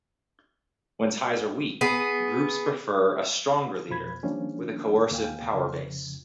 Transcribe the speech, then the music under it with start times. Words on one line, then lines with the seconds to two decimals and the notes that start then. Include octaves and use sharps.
When ties are weak, groups prefer a stronger leader with a coercive power base.
1.81 B3 G#4
3.88 C2 F2 B2 F3 B5 G#6
4.23 D#3 F3 G3 A#3 C#4 D4
5.11 D#2 A#3 F5 G5 G#5
5.52 F2 C#3 F3